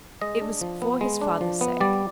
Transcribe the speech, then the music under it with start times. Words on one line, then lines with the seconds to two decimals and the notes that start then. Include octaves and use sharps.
It was for his father's sake.
0.21 G#3 D#5
0.41 D4
0.61 F3
0.82 B3
1.01 G#3
1.21 D4
1.41 F3
1.61 B3
1.80 G3 D5